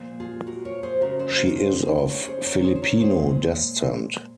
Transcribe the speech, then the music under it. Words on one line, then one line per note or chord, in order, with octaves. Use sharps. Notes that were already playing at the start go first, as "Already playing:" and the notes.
She is of Filipino descent.
Already playing: A#2 F3 G#3
F4 G#4
F#4 A#4
A#4 C#5
G#4 C5
C#3 G#3 F#4 A#4
G#4 C5
C5
F#4 A#4
G#4 C5
G#4 C5
C#3 F3 G#3 A#4 C#5
G#4 C5
A#4 C#5
A#4
G#4 C5
C5
A#4 C#5
G#4 C5
A#2 G#3